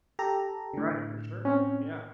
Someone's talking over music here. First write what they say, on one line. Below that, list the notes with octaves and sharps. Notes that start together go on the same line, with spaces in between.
Right, for sure. Yeah.
G4 A4 A#5
A2 D3
C4 C#4